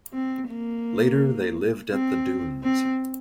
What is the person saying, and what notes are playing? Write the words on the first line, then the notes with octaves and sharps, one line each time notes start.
Later they lived at The Dunes.
C4
A#3
C4
C4